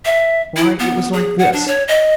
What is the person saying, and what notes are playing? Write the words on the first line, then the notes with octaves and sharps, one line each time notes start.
Why, it was like this.
E5
E4
B3
G#4
F#5
D4
C#5
D#5